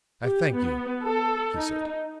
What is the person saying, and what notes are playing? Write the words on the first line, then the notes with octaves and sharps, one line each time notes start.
"I thank you," he said.
G4
B3
A4
D#4